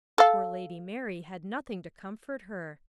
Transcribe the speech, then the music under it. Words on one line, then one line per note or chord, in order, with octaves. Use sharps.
Poor Lady Mary had nothing to comfort her.
A4 F5